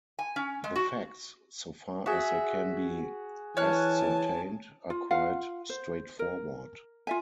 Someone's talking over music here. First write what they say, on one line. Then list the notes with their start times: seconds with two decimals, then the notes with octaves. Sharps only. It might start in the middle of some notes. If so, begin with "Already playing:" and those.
The facts, so far as they can be ascertained, are quite straightforward.
0.19 G#5
0.36 C#4
0.64 G#3
0.76 F#4
2.06 F#4 G#4 E5
3.57 E3 C#5 G#5 A5 F6 F#6
4.90 F4
5.11 F4 F5 F#5
5.70 C5
6.19 A#4
7.07 F4 E5 G#5